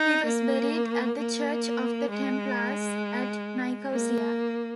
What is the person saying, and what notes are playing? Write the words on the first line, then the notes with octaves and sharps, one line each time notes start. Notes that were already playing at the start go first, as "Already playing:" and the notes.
He was buried at the Church of the Templars, at Nicosia.
Already playing: D#4
A#3
A#3
G#3
A#3